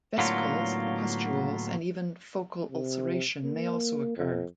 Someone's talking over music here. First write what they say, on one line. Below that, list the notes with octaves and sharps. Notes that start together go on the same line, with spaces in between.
Vesicles and pustules and even focal ulceration may also occur.
A2 D3 F#3 A#3 B3 F4
C3
A#3
F2